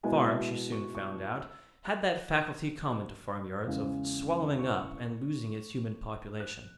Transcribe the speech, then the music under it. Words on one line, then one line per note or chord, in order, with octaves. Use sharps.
The farm, she soon found out, had that faculty common to farmyards of swallowing up and losing its human population.
B2 G#3 B3 E4 G#5
E5
C#6
C#6
E6
F#6
E6
E2 C#3 G#3 C#4
C#6
F#6